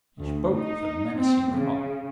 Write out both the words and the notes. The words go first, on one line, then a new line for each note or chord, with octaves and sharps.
He spoke with a menacing calm.
D2
D#4
C4
C#3